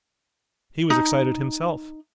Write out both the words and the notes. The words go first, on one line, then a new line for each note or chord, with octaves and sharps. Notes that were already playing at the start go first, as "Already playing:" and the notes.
He was excited himself.
D#4